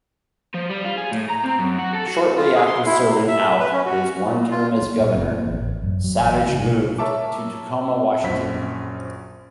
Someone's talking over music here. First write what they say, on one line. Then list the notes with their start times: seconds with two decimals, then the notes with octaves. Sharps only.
Shortly after serving out his one term as governor, Savage moved to Tacoma, Washington.
0.54 F3
0.69 G3
0.85 F4
0.97 G#4
1.11 A2
1.29 A#5
1.44 C4
1.59 F#2
1.78 F#4
1.94 A4
2.07 F#4
2.37 F4
2.55 G#4
2.67 C6
2.86 E4
3.04 C3
3.28 E5
3.59 B4
3.72 C#4
3.85 F#4
4.25 A#2
4.51 F4
4.83 A#3
5.00 A#2
5.15 F#1
5.32 A#3
5.45 A1
5.60 A1
5.84 F#2
6.04 F#3
6.19 A1
6.50 C#3
6.62 B2
6.98 A#4 C#5 E5 A5 D6
8.23 A#1 F#2 C5 B6